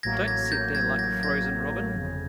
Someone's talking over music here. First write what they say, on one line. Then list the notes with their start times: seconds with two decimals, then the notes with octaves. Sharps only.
Don't sit there like a frozen robin.
0.03 A1 A2 F#3 A#3 G#6 A#6
0.28 G#6 A#6
0.46 A#6
0.51 G6 A6
0.75 G#6 A#6
0.99 G#6 A#6
1.23 G#6 A#6
1.95 G1 F2 C#3